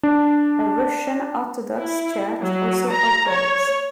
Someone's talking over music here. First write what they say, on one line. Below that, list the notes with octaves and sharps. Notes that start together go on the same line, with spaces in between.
A Russian Orthodox church also operates.
D4
E4
F#3
A#5
C#5